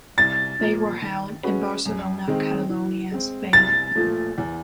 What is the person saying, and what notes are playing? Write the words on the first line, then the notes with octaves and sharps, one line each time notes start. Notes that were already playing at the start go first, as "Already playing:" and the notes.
They were held in Barcelona, Catalonia, Spain.
C2 A6
A#2 F3 A#3
D#3
G#3 C#4 F#4 B4
F#2
D#3 G#3 C4 D#4
E3
G#3 C4
C2 A6
A#2 F3 A3
E2